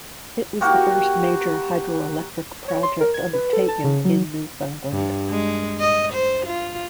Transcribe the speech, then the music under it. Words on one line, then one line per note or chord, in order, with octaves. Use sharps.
It was the first major hydroelectric project undertaken in Newfoundland.
A#3 F#4 G4
C#5
C6
A#4
G#6
B4
A4
A5
C#3
F#3
G2
G#3
D#5
C5
F4